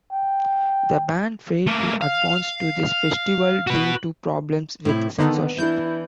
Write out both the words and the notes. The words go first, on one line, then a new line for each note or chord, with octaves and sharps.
The band failed to advance to this festival due to problems with censorship.
G5
A3 A#3
F5
F#4 B4
A2 C3 E4
D3 D#3 B3
E3 D4 E4 G6